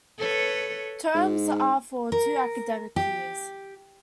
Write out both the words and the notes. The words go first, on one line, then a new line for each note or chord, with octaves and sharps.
Terms are for two academic years.
A4 B4 C#5
G#2
A#4
G4